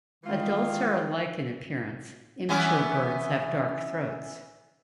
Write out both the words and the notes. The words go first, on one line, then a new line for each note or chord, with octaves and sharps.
Adults are alike in appearance; immature birds have dark throats.
D#3 E3 G#3 F4 G4
E3 B3 C#4